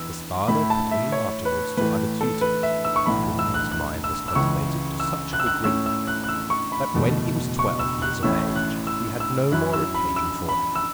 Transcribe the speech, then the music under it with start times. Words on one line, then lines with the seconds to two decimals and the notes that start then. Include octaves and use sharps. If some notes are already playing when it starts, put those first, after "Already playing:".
His father put him afterwards to other tutors, by whom his mind was cultivated to such a degree, that when he was twelve years of age he had no more occasion for them.
Already playing: E2 E3 B3 E6
0.48 A2 A3 E4 B5
0.70 A5
0.91 E5
1.12 C#5
1.45 B4
1.77 A2 E3 A3 B4
2.21 A4
2.41 B4
2.63 E5
2.85 E6
2.96 C#6
3.06 B1 A2 E3 B5
3.39 E6
3.54 F#6
3.71 F#6
4.04 E6
4.28 E6
4.35 C#2 C#3 E3 C#6
5.00 E6
5.33 F#6
5.40 E6
5.46 F#6
5.64 A2 A3 C#4 E6
5.86 E6
6.07 F#6
6.24 F#6
6.29 E6
6.50 C#6
6.72 B5
6.94 F#1 E2 B2 A3
7.59 C#6
7.79 E6
8.02 F#6
8.23 A1 A2 A3 C#4 E4 E6
8.56 F#6
8.87 E6
9.20 E6
9.51 F#2 F#3 C#4 E4 F#6
9.73 E6
9.94 B5
10.16 E6
10.48 B5
10.75 E6